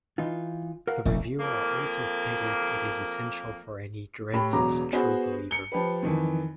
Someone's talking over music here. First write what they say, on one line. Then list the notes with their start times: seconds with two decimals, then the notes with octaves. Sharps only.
The reviewer also stated it is essential for any "Drizzt true believer".
0.18 E3 D#4 F4
0.87 A#4 F5 F#5
1.05 F1 A#1 A3
1.38 F2 A#3
4.33 A2 G4 B5
4.53 E1 E2 F#3 A#5 D6
4.93 B3 F#4 G#4 B4 C5
5.51 C#7 G7
5.72 F3 G4 B4
6.03 F2 D#3 E3